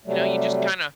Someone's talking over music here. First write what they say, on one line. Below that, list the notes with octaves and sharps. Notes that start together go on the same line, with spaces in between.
you know, you just kinda
C3 F#3 G3 A3